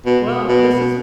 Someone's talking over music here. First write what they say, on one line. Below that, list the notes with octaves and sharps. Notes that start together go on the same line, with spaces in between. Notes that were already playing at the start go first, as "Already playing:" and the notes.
Well, this has
B2
B2